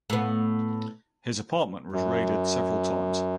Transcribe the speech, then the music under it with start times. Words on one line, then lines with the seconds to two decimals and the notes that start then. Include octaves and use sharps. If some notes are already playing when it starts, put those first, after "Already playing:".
His apartment was raided several times.
0.10 A2 B3
1.92 F#2